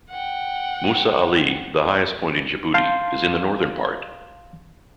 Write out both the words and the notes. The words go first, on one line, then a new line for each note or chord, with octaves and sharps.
Mousa Ali, the highest point in Djibouti is in the northern part.
F#5 G5
F5 A5 C6 G6